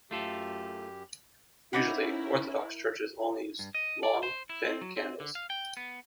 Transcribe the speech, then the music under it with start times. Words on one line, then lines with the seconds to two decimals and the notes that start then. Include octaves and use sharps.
Usually Orthodox churches only use long, thin candles.
0.11 F#2 A3 F4 G4 A4
1.73 C4 C#4 D#4 E4 A#4 F#5 B5 D6
3.59 G2
3.75 D#5
4.03 D5
4.23 C5
4.50 E4
4.66 C4
4.81 F#3
4.97 C4
5.20 D3
5.35 F5
5.50 G5
5.77 B3